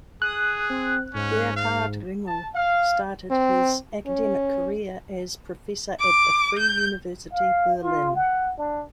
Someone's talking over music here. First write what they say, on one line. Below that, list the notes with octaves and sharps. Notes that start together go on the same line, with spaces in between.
Gerhard Ringel started his academic career as professor at the Free University Berlin.
G#4 D#6 F#6
C4
G#2 C#4
F5
A5
F5
C4
C#4
D6
G6
F5
F4
F#5
D4